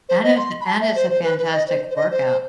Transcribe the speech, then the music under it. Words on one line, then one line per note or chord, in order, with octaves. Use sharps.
And it's and it's a fantastic workout.
C5
D#5
C6
B5
A5
E5
C5
C5
B4
B4
D#5
C5
C5
D#5
C5